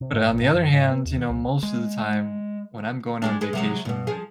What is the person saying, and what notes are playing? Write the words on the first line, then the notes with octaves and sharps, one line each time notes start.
But on the other hand, you know, most of the time when I'm going on vacation, like,
C3
G#2
A1
A2
F#2
G#2
B3
D#2
D#3
C2
G#3
G3 G#3 D4
G#3 G#4 B4
C3 F#3 G#3
G2 B2
F3 G#4